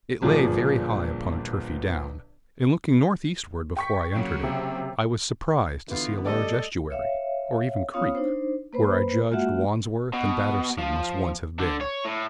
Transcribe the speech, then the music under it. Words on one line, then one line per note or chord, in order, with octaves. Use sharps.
It lay very high upon a turfy down, and looking north-eastward before I entered it, I was surprised to see a large estuary, or even creek, where I judged Wandsworth and Battersea must once have been.
G1 A#2 F3 G#4
G5 C#6 B6
C#3 F#3 A#3
C3
D3 E3 B3 F4
G3 A3 A4 D5 D#5
C#5 E5 F5
B3 C#4 F4 C#5 F5 D#6
D4 D#4 C5
A#3 B4 C5 B5
G#3 A#3 F4 F#4 E5 F#5
B2
F3
D3
C#5
A2